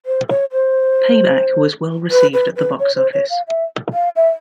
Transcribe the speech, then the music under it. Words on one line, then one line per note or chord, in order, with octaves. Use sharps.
"Payback" was well received at the box office.
C5
C#5
C5
B4
B4
B4
C#5
C5
C#5
F5
E5
F5
E5